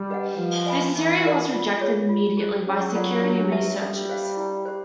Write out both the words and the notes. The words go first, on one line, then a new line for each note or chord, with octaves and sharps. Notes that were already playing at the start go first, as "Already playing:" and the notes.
This theory was rejected immediately by security researchers.
Already playing: G3
G4 B4 D#5 F#5
F3 B4
D#5 G#5 B5
E3 D#4
F#4 A#4 D5 F#5
F4
G#4 C#5
F4
G#4 C5
F#3 C#4
F4 A4 D5 F#5
D4
G4 B4 E5 A5
G3 A4
C5 F5
E4
G4 C5